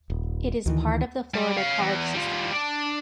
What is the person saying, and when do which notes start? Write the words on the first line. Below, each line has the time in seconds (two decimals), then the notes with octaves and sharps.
It is part of the Florida College System.
0.10 D#1
0.66 D2 D#3 E3
1.34 G3
1.57 C#5 F5
1.80 E2
2.14 G3 F4
2.52 D4